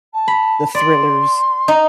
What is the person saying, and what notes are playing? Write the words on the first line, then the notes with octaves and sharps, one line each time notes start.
the thrillers,
A5
B5
D5 C6
D#4